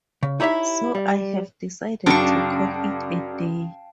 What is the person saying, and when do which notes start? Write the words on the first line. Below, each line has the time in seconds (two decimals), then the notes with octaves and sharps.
So I have decided to call it a day.
0.23 C#3
0.40 D#4 E4 G4 C#5 E5
0.95 G3
2.06 F#2 C#3 D4 F5 G5 A5 C#6